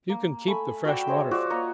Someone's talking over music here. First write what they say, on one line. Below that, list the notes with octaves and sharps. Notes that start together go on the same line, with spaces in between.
"You can keep the freshwater fish!"
A#3
A3 G#5 B5
F#4 D5 G5 E6
G#3 C5 C#5 E5
F4 F#4 D5 E6
A#3 C#5 D#5